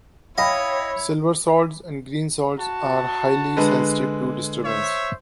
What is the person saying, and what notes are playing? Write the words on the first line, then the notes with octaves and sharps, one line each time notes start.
Silverswords and greenswords are highly sensitive to disturbance.
E4 C#5 D#5 F5 G5 B5
F#4 A5
D3 G#3 B4
C5 C#5 E5